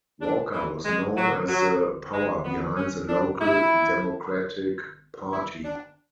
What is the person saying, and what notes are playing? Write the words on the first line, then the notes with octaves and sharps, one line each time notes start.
Walker was known as the power behind the local Democratic Party.
D4
E3
G#3
F#3
F#3
G#3
B3
C#4
D4
E4
E4
D4